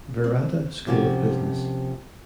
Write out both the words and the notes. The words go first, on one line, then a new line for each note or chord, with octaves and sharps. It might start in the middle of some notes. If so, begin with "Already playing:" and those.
Virata School of Business.
C4
C3 F3 A#3 C#4 F4 F#4